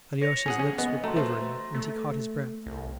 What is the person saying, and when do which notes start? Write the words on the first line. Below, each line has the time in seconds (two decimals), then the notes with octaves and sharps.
Alyosha's lips were quivering and he caught his breath.
0.22 C#5 A#6 C#7 F7
0.46 C#4 G#4 F#5
0.59 C#4 G#4
0.78 B3 D#5
1.04 A3 F#4 A#5 C6
1.17 A3 F#4 B4 C5
1.75 A3
2.66 C2